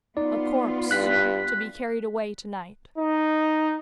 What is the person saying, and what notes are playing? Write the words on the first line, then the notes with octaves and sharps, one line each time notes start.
"A corpse to be carried away to-night."
B3 D#4 F4 D5
G2 F#6 B6
D#4